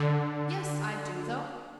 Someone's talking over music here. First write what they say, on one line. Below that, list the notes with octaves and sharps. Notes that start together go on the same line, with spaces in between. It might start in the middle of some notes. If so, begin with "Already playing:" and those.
Yes, I do, though.
Already playing: D3